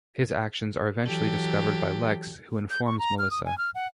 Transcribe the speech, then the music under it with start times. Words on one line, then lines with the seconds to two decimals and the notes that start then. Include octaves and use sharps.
His actions are eventually discovered by Lex who informs Melissa.
1.05 E3 F#3 G4 A4
2.70 G6
2.86 C#6
2.99 A#5
3.18 F6
3.31 D#6
3.45 G#5
3.58 F6
3.75 F#5